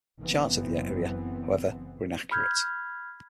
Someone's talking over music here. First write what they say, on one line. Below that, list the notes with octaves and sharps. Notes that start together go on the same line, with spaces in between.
Charts of the area, however, were inaccurate.
F#1 E3 B3 C4
B5 F6 G6 G#6